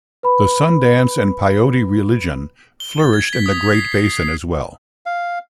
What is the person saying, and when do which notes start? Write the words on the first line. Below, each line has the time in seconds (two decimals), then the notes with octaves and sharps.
The Sun Dance and Peyote religion flourished in the Great Basin, as well.
0.23 B4 B5
2.80 G7
3.00 A6
3.13 G#6
3.33 B6
3.46 D#6
3.63 B6
3.75 C7
3.92 C7
4.06 C7
4.23 C7
5.06 F5